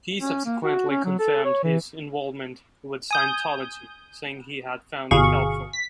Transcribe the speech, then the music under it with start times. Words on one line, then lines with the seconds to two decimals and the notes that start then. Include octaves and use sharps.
He subsequently confirmed his involvement with Scientology, saying he had found it "helpful".
0.21 C#4
0.45 A#3
0.64 F#4
0.90 C#4
1.04 F#3
1.19 A4
1.45 C#5
1.63 E3
3.11 G#5 D#6 G6
5.11 G1 B2 G#4 F5 C#6
5.73 B6